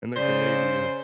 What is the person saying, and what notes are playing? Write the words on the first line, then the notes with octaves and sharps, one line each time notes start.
and they're Canadians.
C#3 C5 D5